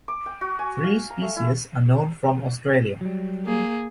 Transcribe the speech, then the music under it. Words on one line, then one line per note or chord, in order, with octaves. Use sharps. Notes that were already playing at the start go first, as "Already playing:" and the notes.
Three species are known from Australia.
D6
G5
F#4
G#5
F5
A#5
A3
E4
F#3 G3
A#3 G#4